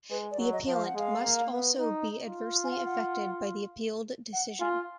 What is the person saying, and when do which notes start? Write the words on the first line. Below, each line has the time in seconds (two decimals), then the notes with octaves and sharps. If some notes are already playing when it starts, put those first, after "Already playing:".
The appellant must also be adversely affected by the appealed decision.
0.10 G#3 B4
0.31 D5
0.38 F#3
0.53 D#5
0.67 F3
0.74 F5
0.85 F#5
0.95 G#3 F5
1.23 A#3
1.51 B3
1.79 D#4
2.21 F4
2.64 G#5
2.71 F#5
2.78 F5
2.85 F#5
4.33 F#5
4.60 F4 G#5